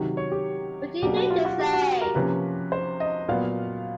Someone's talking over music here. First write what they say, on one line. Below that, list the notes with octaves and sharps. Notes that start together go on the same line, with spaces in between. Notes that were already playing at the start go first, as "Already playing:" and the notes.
What do you mean to say?
Already playing: C3 D#3 F#3
C#5
G4
B2 F#3 A#3 D4 G4
F#4
F4
F#4
G4
F#4
A#4
C3 F3 A#3 C#4 B4
C5
D#5
A#2 F#3 B3 F5